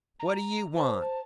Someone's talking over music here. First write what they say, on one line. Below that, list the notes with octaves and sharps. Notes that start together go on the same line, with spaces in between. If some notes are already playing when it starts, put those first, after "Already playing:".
"What do you want?"
A#5
C5 A5
A5